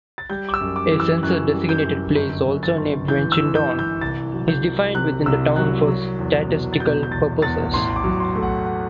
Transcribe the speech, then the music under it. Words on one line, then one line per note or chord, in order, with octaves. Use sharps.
A census-designated place, also named Winchendon, is defined within the town for statistical purposes.
A6
G3 G6
D6
E6
F#2
D6
E3
E6
F#2 F#6
G3
G6
F#2
G1 G6
F#2
A6
G1
E3 G6
E6
E3
G6
E3
G6
C2 A6
F#3
G6
C2
C3 F#6
C2 E6
F#3 F#6
F#3
E2
B2
A6
B2 G6
G6
E2 A6
E2 A6
A1 C6
D6
F#3
C6
A3
F#5
F#5